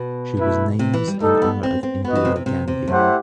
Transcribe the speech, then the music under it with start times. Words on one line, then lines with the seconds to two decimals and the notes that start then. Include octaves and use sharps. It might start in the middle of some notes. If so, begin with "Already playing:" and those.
She was names in honor of Indira Gandhi.
Already playing: B2
0.37 A3 E4 B4
0.79 C3
0.93 E3
1.08 G3
1.20 G3 A3 D#4 A4
1.42 B3
1.63 C4
1.83 C4
2.05 B3 F#4 B4 D#5
2.15 E3
2.25 C3
2.36 C3
2.46 C3
2.68 C3
2.88 F#2 A3 E4 G4 C5 F#5